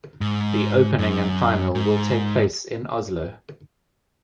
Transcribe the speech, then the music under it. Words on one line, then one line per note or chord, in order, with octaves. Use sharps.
The opening and final will take place in Oslo.
G#2
F#2
G#2